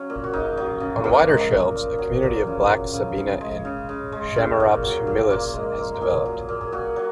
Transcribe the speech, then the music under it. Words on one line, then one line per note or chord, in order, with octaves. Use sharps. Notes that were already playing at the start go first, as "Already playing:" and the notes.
On wider shelves, a community of Black Sabina and "Chamaerops humilis" has developed.
Already playing: C#3 F#3 C#4
A#2
F#4
C#3 D#4
F#3
C#3
A#2 A#3
G#3
A#2
A#2
F#3
A#2
C#3
F#3
C#3
C#3
G#3
C#3
C#3
G#3
C#3
A#2
F#3
A#2
A#2 A#3
G#3
A#2
A#4
A#2 G#4
F#3
A#2
G#4
A#2 F#4
F#3